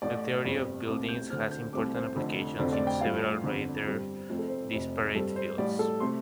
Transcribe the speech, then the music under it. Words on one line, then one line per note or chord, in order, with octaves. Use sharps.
The theory of buildings has important applications in several rather disparate fields.
A1 A2 A3 D5
G1 F2 C3 G3 C4
C2 C3 A3 D6
G6
D2 D3 A3 C4 F6
G6
C2 C3 A3 D6
C5
F1 F2 D3
F1 F2 D3 A3 C4 D5
D5
G5
G2 F3 A3 C4 F5
G1 F2 D3
G2 G3 C4
F1 F2 F3 A3 C4 C5
A4
C5
F1 F2 C3
G2 G3 C4 A4
C5
A1 A2 G3 D5
A4
C3 A3 C4 C6